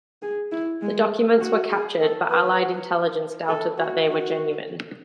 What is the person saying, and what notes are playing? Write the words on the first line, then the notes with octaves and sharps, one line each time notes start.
The documents were captured but Allied intelligence doubted that they were genuine.
G#4
E4
G#3
F#4
G#4
A4
B4
A4
F#4
F#4